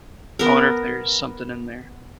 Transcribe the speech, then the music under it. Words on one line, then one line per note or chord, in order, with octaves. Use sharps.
I wonder if there's something in there.
B3 A#4